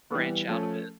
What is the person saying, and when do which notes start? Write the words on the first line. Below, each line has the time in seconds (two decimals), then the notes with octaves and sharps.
branch out a bit.
0.11 E3 G3 B3
0.48 F3 A3 C#4